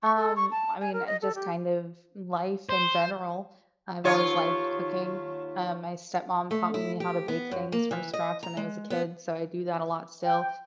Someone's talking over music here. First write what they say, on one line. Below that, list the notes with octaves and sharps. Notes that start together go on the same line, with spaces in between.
Um, I mean, uh, just kind of life in general, I've always liked cooking, uh, my stepmom taught me how to bake things from scratch when I was a kid, so I do that a lot still.
C#6
A4
C#6
A5
G#5
A#4
D#5
A4
G4
C5
D#2 F4 C#5
A3
E4
G4
B3
F#2
A#3
E3
D#5
A#5
G#3
B3
G5